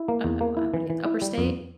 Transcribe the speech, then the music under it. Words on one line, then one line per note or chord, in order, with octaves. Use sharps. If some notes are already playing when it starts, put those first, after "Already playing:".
uh uh, why I woulda get li upper state?
Already playing: E4
A#3
E2
A#3
E4
E3
E3
E4
G3
F2